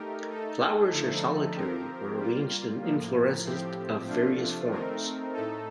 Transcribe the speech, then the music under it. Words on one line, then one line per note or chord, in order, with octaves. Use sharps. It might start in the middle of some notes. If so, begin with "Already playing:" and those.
Flowers are solitary or arranged in inflorescences of various forms.
Already playing: A3 D#4 G4 A#4
A3 D#4 A4
D3 F3 A3 D#4 A4
F3 C4 G4 A#4
G3 A#3 F4
A2 F3 A#3
A2 F3 C4 G4
C3 F3 A3 D4 F4
A3 C4 D#4 A#4
A2 A3 D#4 A4